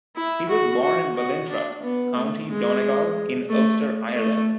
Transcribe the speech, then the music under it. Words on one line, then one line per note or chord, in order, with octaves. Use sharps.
He was born in Ballintra, County Donegal, in Ulster, Ireland.
E4
F#4
F#4
F#4
D4
B3
A3
G#3
A3
A3